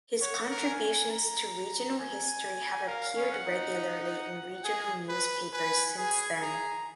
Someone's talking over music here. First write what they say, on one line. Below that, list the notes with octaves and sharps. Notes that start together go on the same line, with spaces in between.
His contributions to regional history have appeared regularly in regional newspapers since then.
C#5 F#5
A#4
G#5
A#5
G#5
A#4 F5
C#4
F#5
D#4
F#5
G#4 G#5
B4
B4 G#5
G#4 G#5
G#4 A#5